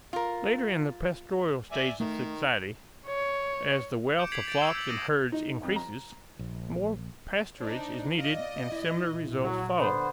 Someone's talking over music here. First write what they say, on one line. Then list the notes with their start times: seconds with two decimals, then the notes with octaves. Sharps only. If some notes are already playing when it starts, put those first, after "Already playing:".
Later in the pastoral stage of society, as the wealth of flocks and herds increases, more pasturage is needed and similar results follow.
0.13 F4 A#4
1.72 D5 E5 G#5
2.00 D#3 A3
3.06 C#5
4.19 D6 G6 C#7 D7
4.32 G#6 B6 C7 D7 F7 F#7
4.47 A6 D7 F7
4.61 E6 G6 C7 D7 E7
4.75 G6 B6 F#7
4.89 D6 D#6 A#6 C#7 D#7
5.32 D#4
5.63 F2
5.76 A#5
6.39 A#1
7.61 D4 D#4 C5
8.18 F4 D5 D#5
8.72 E4
9.09 A#1
9.43 F#3
9.79 D3 B3 C5